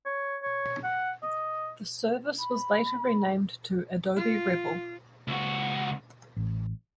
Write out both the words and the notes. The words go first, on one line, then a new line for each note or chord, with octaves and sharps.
The service was later renamed to "Adobe Revel".
C#5
C#5
F#5
D#5
B5
F4
C#2 F#4
A1